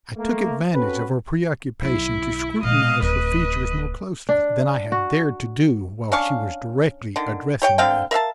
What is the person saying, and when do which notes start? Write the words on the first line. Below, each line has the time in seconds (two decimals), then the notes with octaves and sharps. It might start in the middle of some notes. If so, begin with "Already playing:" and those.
I took advantage of her preoccupation to scrutinize her features more closely than I had dared to do while she was directly addressing me.
0.17 A3 A#3
0.73 C4 C#4 F#4 A4 B4
1.82 B1 D3 E4
2.63 A#2 G#3 D#5 F5
3.02 D1 B4 D#5
4.29 D4
4.92 F#4
6.12 C#4 D4 F5 C#6
7.16 D3 D#3
7.62 G4 C#5 G5
7.78 D3 C4 F5 G5
8.11 A#4 E5 F5 A5